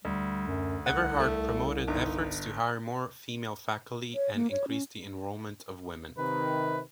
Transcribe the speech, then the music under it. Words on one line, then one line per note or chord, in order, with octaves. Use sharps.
Everhart promoted efforts to hire more female faculty and increase the enrollment of women.
D2 G3
F#2
C2 F#5
A3
G1 D#4
C#5
A#3
C#5
C#4
C3 D#3 B4